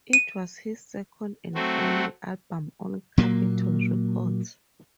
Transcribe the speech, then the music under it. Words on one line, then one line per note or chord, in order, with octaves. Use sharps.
It was his second and final album on Capitol Records.
D#7
F#3 A3 C4 F#4
A#2 F#3 A#3